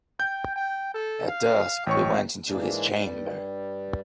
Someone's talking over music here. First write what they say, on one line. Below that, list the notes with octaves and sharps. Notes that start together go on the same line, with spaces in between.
At dusk he went into his chamber.
G5 G6
G5
A4
F5
A1 C#5 G5 C#6
G#2 E3 G#3 A#3 D4
G2 G3